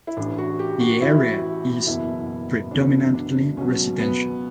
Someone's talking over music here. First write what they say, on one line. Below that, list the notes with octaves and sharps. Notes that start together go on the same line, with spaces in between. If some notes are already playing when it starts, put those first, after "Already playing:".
The area is predominantly residential.
E4
A1 A2 E3 D4
F#4
G4
F#4
A1 A2 E3 E4
F#1 E2 B2 E4
F#1 E2 B2 D4
D4
C#2 B2 F#3 C#4
B3